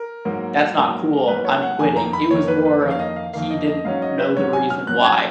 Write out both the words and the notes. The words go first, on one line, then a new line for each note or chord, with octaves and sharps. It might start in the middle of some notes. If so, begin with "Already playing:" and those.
that's not cool I'm quitting, it was more he didn't know the reason why.
Already playing: A#4
G#2 F#3 A#3
G#2 F#3 A#3
G#2 F#3 A#3 B4
C#5
F#5
F2 D#3 A#3 G#5
A#5
B5
F2 D#3 A#3 C#5
B4
B4
F2 D#3 A#3 C#5
F5
D#5
F5
F2 D#3 A#3 F5
D#5
D#5
G#2 F#3 C#4 F5
D#5
B4
G#2 F#3 C#4 C#5
G#5
F6
G#2 F#3 C#4 F#6
G#6